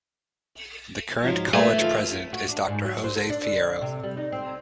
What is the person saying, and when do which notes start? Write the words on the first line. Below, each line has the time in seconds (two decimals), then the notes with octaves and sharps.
The current college president is Doctor Jose Fierro.
1.23 G#2 F3 F#3
1.53 A3 G#4 B4 C#5
1.79 D#2 F3 F5
2.33 F#4
2.49 D4
2.68 G#2
2.85 F#3
3.04 C5
3.16 A4
3.30 D4
3.46 D3
3.82 C3
4.03 G3
4.17 D#4
4.32 C4